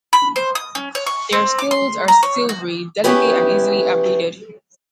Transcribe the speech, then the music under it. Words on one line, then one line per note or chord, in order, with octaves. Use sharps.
Their scales are silvery, delicate and easily abraded.
B5
C5
D#6
C#4
C#5
C#6
C4
D6
C6
A#5
C#5
F#4
B3 C#4 E4 G4 G#4 B4